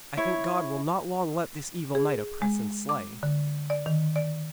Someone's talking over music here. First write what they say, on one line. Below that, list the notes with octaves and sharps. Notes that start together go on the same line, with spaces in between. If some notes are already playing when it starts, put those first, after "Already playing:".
I think God will not long let this evil knight oppress and slay.
E4 C#5
G#4
G#3
D6
D3
D5
D#3
D5